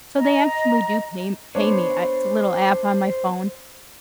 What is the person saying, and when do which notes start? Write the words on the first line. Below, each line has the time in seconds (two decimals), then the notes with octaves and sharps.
So they actually do pay m pay me, I it's a little app on my phone,
0.17 D#5 A#5
1.55 B3 D4 C5 C#5